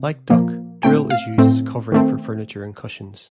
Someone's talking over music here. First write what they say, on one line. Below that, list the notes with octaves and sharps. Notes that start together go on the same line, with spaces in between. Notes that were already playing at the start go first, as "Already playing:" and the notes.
Like duck, drill is used as a covering for furniture and cushions.
Already playing: C3
A#2 F3 A#3
A#2 A3 C4 G5
F5
A2 A3 C4
D#3 A3 C4